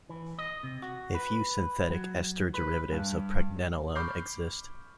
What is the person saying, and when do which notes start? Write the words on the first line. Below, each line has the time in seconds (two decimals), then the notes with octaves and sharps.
A few synthetic ester derivatives of pregnenolone exist.
0.09 E3
0.39 D#5
0.63 C3
0.82 F#4
1.14 B4
1.90 F#3
2.54 B4
2.92 G2
3.95 B5 C#6 D6 F6 G6 C7